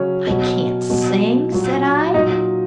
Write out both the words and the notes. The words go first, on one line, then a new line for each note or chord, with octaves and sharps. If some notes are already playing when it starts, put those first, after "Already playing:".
"I can't sing," said I.
Already playing: C#3 F#3 C#4
B2 F#3
B2 F#3
A#2 F#3
A#2 F#3 D#4